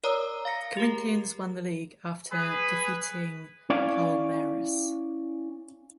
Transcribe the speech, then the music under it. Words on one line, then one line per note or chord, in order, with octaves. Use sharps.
Corinthians won the league after defeating Palmeiras.
A#4 C#5 D5 A#5 D#6 E6
F5 A#5 A#6 C#7
G4 G#4 A#4
G#4 B4
C#4 E4 D5 F5